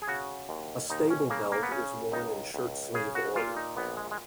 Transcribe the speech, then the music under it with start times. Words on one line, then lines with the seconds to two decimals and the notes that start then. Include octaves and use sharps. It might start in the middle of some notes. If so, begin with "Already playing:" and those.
A stable belt is worn in shirt sleeve order.
0.02 G#4
0.08 C#3 F#4
0.49 D#2
0.90 D#2 D#4
1.10 C#4
1.30 C#3 A#3
1.52 A#3
1.63 B3
1.72 C#3 C#4
2.12 C#2 D#4
2.54 C#2
2.94 C#3 G#4
3.15 F#4
3.36 A#2 F4
3.57 D#4
3.77 A#1 B3
3.97 G#3
4.11 G#3